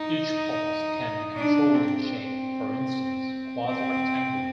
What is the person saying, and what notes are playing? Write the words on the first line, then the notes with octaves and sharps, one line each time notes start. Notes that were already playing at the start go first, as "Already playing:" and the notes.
Each pulse can be controlled in shape, for instance, quasi-rectangular.
Already playing: D#4
D4
C4
C4